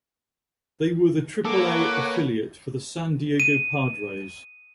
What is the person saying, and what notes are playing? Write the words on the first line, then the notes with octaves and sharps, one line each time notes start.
They were the Triple-A affiliate for the San Diego Padres.
A#3 A4 B4 C#5 F#5 D6
D#7